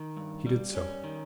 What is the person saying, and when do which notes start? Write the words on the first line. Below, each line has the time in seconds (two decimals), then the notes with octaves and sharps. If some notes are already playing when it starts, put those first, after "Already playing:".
He did so.
Already playing: D#3
0.16 G2
0.46 G3
0.75 C#4
1.04 D#3